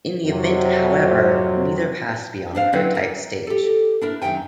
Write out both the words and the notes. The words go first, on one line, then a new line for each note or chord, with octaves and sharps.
In the event, however, neither passed beyond the prototype stage.
F2 C3 F#3
D4 C5 F5
F#3 C4 D4 E4 B4
A#4 D5
G4 A4
D4 E4 A#4
F#2 D#3 D#4 E5 G5 G#5